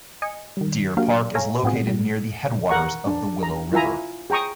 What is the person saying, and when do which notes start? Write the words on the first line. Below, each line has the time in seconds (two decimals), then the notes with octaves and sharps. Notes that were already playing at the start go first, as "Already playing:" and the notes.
Deer Park is located near the headwaters of the Willow River.
0.22 D#5 G#5 C#7
0.57 D#3 G3
0.97 F#3 A#3 D4 F#4 G4 F5
1.35 A4 C#5 F5 G#5 A#5
1.63 A2 B3 C4 F4 F#4 G#4
1.87 A#2 G3
2.69 A#4 F#5 A#5 C#6
3.07 D4
3.43 A#5
3.72 E4 F4 E5 G#5 A#5
4.30 G#4 G5 A#5 C#6 D#6